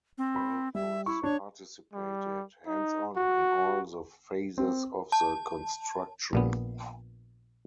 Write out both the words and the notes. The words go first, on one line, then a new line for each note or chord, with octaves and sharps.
Balthus participated "hands on" in all the phases of the construction.
C4
B5
G3 E5
E4 C#6
D4 C#5
G3
D#4
F#4
C4
A5
A#1 A#2 B3